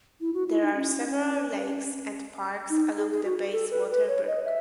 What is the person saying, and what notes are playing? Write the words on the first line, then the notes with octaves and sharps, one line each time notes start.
There are several lakes and parks along the Bayswater Brook.
E4
F#4
E4
D#4
C#4
D#4
G#4
G#4
F#4
A4
B4
B4
C#5
D#5
E5